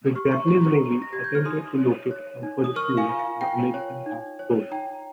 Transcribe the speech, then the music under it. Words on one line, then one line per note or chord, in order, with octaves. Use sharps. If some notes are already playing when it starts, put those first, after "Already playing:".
The Japanese Navy attempted to locate and pursue the American task force.
G4 C#6 F6
C6
A#5 C#6
G4 A#5 C#6
A#5 C#6
G4
A#6
G4 G#6
G6
F6
D#4 C6 D#6
C#5
C#5
D#4
D#6
A#4 C#6 F6
F5 G#5
F4
F5
F4 G5
C#5
D#4
C#5
D#4 G5 A#5